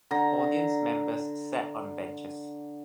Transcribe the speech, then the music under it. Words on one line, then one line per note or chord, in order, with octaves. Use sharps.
Audience members sat on benches.
D3 A#5